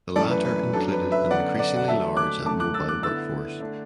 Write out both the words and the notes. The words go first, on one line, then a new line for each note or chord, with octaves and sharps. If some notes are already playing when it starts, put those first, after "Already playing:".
The latter included an increasingly large and mobile workforce.
F#2 E3 A3 A4 D5
B4
B4
F#2 F#3 D4 A4
B4
B4 E5
F#2 D3 B3 D5 F#5
D5 F#5
F#5
D3 F#3 A3 E5 A5
D6 F#6
F#2 D3 A3 A5 D6
D6 F#6
E6 A6
D6 F#6
D3 B3 E4 E6 A6
D3 A3 D4